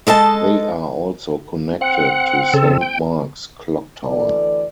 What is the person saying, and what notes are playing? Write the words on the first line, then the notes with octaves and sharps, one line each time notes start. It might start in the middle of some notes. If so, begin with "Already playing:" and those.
They are also connected to Saint Mark's Clocktower.
G#3 A4 D#5 A5
C4 F#5
C#3 A4
G5
D2 E3 A4 D5